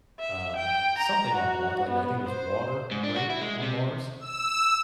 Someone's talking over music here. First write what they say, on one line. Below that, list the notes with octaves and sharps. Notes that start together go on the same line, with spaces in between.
um, something on Mar like, I think it was water, right, on Mars?
E5
G5
A#5
F#4
B3
C5
G#2
D4
F#4
E4
G#3
C3
E6